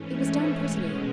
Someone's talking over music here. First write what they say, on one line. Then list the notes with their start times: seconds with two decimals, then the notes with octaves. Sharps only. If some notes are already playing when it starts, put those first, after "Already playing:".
It was done prettily.
Already playing: G#2 E3 A3 C#4
0.64 B2 G#3